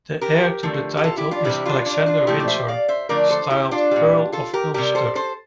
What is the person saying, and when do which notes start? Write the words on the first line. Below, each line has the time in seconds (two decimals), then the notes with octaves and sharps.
The heir to the title is Alexander Windsor, styled Earl of Ulster.
0.21 G4 A#4
0.63 D3 F3 A3
0.97 G4
1.04 F4 A4
1.17 E4 G4
1.31 D4 F4
1.44 C3 E3 G3 C4 E4
1.65 D4 F4
1.86 D4 F4
2.06 D4 F4
2.27 A#2 F3 A3 E4 G4
2.40 D5
2.48 C5 E5
2.68 D5 F5
2.88 C5 E5
3.09 D3 F3 A3 A#4 D5
3.30 A4 C5
3.50 E4 G4
3.71 D4 F4
3.91 A#2 G3
4.32 F4 A4
4.53 G4 A#4
4.74 C3 G3 G4 A#4
4.95 A4 C5
5.15 A4 C5